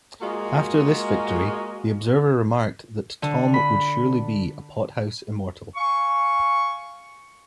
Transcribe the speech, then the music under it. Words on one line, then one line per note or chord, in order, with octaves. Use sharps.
After this victory, The Observer remarked that Tom would surely be a 'Pothouse Immortal'.
G#3 A#3 F4 F#4 G#4 D#5
D3
B5
F5 G#5 C#6